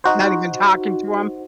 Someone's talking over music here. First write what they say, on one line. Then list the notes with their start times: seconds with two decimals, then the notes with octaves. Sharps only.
Not even talking to him?
0.04 D#4 F#4 C5